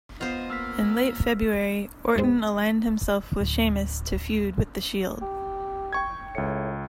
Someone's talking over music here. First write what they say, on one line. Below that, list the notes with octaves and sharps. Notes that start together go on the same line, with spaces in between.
In late February, Orton aligned himself with Sheamus to feud with the Shield.
B3 F4 C5 D#5
A#3 E6 F6 B6
D#2 G#2 G#3 C4
D1
G4
G5 C#6 G#6
C#2 A2 C#7